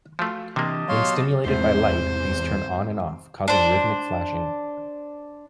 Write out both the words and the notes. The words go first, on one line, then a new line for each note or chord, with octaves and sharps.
When stimulated by light, these turn on and off, causing rhythmic flashing.
F3 A3 F#4 F5
C3 E3 A#3 D4 G4 D#5 A5
F#3 B3 F#4 C#5 F5 C6
E2 G#2 C3 A3 C5
D4 C5